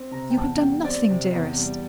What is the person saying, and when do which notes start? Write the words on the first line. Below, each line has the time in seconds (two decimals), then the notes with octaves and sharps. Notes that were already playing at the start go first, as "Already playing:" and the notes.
"You have done nothing, dearest."
Already playing: C4
0.11 C3 A#5
0.30 G5
0.36 E2 A5
0.60 G3 G5
0.84 C4 D5
1.09 C3
1.33 E2
1.57 G3